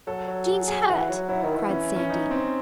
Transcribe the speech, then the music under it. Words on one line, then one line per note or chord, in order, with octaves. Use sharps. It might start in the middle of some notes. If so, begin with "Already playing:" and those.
"Jean's hurt," cried Sandy.
F#3 A4
F#3
G#4
G#4
E3 F#4
F#3
F#3 E4
D#3
E3
C#4
C#4
D#4
C4